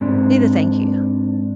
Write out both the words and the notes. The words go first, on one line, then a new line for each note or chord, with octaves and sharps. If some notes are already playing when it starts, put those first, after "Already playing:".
"Neither, thank you."
G#2 C4 D4